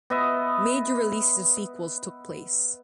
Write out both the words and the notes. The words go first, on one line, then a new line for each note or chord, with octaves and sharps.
Major releases of sequels took place.
B3 D#5 E5